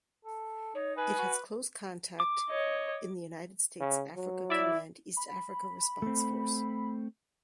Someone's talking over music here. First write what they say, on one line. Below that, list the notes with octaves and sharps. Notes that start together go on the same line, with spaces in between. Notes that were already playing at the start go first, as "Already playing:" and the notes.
It has close contact in the United States Africa Command East Africa Response Force.
A4
D#4 C#5
B4 G#5
F#4
D6
C#5 D#5
C#3
F#3
E4 D5 E5
B5
A3 C4